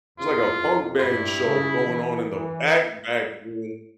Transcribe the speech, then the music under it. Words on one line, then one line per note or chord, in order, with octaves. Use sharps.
there's, like, a punk band show going on in the back, back room,
E2 F4
F2
F4
G2 E4
C#3
E3
E3